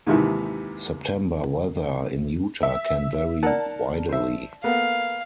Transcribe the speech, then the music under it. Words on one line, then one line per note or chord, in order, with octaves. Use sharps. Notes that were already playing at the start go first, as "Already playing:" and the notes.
September weather in Utah can vary widely.
D#2 G#2 C3 D#3 E3
E5
D#4 A#4 D5 F#5 A5
C5 E5
A#3 B3 A4 F5